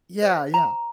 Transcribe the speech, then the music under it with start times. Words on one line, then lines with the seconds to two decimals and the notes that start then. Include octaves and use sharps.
Yeah, yeah.
0.22 C5
0.54 A#5